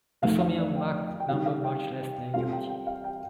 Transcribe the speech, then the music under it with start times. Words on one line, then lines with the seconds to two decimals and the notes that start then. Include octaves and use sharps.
Assuming a Mach number much less than unity.
0.22 F2 D#3 A3 F5
0.41 F5
0.58 D5
0.76 G5
1.20 G5
1.29 C3 D#3 G3 F5
1.46 F5
1.64 G5
2.34 G3 C4 F4 A4 F5
2.52 G5
2.69 G5
2.87 F5
3.04 G5